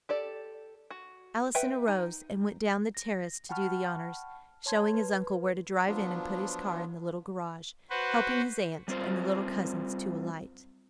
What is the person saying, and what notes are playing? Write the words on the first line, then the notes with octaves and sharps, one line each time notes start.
Allison arose and went down the terrace to do the honors, showing his uncle where to drive in and put his car in the little garage, helping his aunt and the little cousins to alight.
G4 A4 D5
F#4
B4 E5 F#5 G5
D#4
A#6
F#5 G5 A5 B5 C#6 F6
C#5 A5 C6 G#6
B4
F3 F#3 B3 D4 F4
F#4 B4 C5
G3 C4 F4 C5